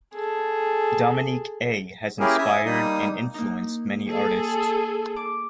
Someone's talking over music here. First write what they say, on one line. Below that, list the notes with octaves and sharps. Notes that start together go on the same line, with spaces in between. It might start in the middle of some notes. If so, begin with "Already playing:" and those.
Dominique A has inspired and influenced many artists.
G#4 A4
A#3 C#4 E4 G4 G#4 A#4
E5 G#5 D#6
G3 A#3 D#4 D#6
A#3 D#4
G#4 A4
D6